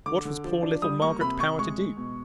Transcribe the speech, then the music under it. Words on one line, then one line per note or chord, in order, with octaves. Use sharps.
What was poor little Margaret Power to do?
D3 D6
D3
F3
D4
G3 D#6
A#3 C#6
C3 B5
C3 C#6
G#3 C#6
G#3
B2